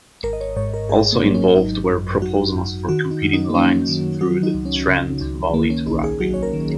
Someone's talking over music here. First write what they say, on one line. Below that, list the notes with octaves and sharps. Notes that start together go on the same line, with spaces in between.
Also involved were proposals for competing lines through the Trent valley to Rugby.
G#1 A#4
D#5
C#5
G#2 C#5
A#4
G#2 G#4
A#3
F#3
C#4
G#1 D#4
F#2
F#3 F#4
F#2
D#3 F#4
D#4
F#2
D#4
A#3
F#3 C#4
D#3
F#3 F#4
D#4
C#2
C#4
C#3
C#2
D#3 A#3
C#4
A#1 D#4
G#4
F#3 F#4
C#5
A#4
D#3